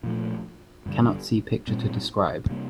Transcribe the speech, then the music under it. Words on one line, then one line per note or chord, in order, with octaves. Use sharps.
Cannot see picture to describe.
A#2 F3 A3
G2 D3 G3
A#2 G3 C4
C3 G3 A#3